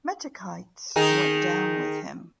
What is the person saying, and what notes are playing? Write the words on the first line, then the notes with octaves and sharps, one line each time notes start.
Metochites went down with him.
D#3 D#4 G#4